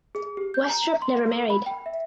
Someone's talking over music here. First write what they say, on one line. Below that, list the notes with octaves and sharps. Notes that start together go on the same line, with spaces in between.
Westropp never married.
G#4
G4
G6
A#5
C6
A#4
B5
G5
E5